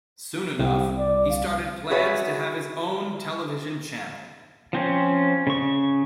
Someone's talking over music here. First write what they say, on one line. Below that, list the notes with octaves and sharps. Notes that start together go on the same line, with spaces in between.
Soon enough, he started plans to have his own television channel.
C2 G4
D5
F5
F#4 G#4 B4 C#5 E5
F3 C4 C#4
C#3 C#6